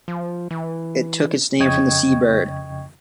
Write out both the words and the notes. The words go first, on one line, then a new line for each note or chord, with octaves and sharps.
It took its name from the sea bird.
F3
E3
F2 C#3 D#5 G5 C#6 G#6